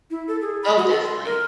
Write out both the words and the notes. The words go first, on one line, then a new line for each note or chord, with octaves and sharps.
Oh, definitely.
E4
A4
G#4
B5
F#4
A4
C6
A#4